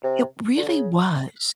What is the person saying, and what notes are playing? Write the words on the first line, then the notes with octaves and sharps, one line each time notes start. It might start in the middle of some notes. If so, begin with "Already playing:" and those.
It really was.
C3
D3
C#3